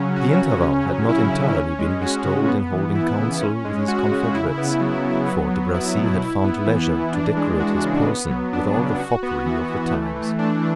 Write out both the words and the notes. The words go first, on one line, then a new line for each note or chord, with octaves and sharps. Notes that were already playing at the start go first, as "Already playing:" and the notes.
The interval had not entirely been bestowed in holding council with his confederates, for De Bracy had found leisure to decorate his person with all the foppery of the times.
Already playing: C#3 F#3 C#4
F#4
C#3
C#4
F#3
E4
D3
C#4
G#3
F#4
C#3
B3
E3
E4
C#3
C#4
G#3
F#4
C#3
E4
B3
F#3
F#3
B3
F#3
E4
B2
E4
B3
E3
E3
D4
G#3
F#4
C#3
B3
F#3
D4
C#3
F#4
B3
E3
E3
A3
E3
D4